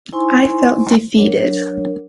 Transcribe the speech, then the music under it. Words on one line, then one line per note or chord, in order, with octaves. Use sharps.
I felt defeated.
D#4 E4 C5 G#5 C6 C#6
F#3 D4 A#4 C#5